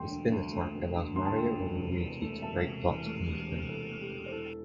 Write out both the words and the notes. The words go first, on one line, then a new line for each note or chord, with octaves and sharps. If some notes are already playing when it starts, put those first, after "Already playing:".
The spin attack allows Mario or Luigi to break blocks beneath him.
Already playing: E1 D2 D3 A3 G5 C6
D3
D2
A3
E1
D3
D2 C6
A5
A3 G5 C6
E1
C3
E2
A3
E1 E5 A5
C3
E2
A3 A4
E1
C3
E2 A4
A3
G4
E1
C5
E3 A4